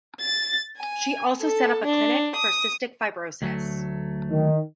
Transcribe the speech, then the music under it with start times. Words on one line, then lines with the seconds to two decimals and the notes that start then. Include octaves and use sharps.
She also set up a clinic for cystic fibrosis.
0.20 A6
0.77 G#5
1.39 A4
1.85 D4
2.36 D#6
3.42 D2 F#3 A3
4.31 D#3